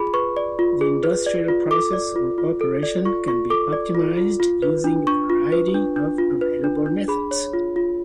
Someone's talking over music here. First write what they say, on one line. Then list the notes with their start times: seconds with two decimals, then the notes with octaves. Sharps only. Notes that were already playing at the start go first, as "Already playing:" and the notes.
The industrial process or operation can be optimized using a variety of available methods.
Already playing: F4 G#4 B5
0.14 B4 C#6
0.37 D5
0.59 F4
0.81 G#4
1.03 B4
1.26 D5
1.48 F4
1.71 A4 D6
1.93 D5
2.16 F4
2.38 F4
2.61 A4
2.83 D5
3.05 F4 C#6
3.28 F4 C#6
3.50 A4 D6
3.73 D5
3.95 F4
4.17 F4
4.40 F4
4.62 B4
4.84 D4
5.07 D4 C#6
5.30 F4
5.52 B4
5.74 D4
5.96 D4
6.18 F4
6.41 B4
6.64 D4
6.86 D4
7.08 G#4 B5
7.31 C#5
7.53 F4
7.76 F4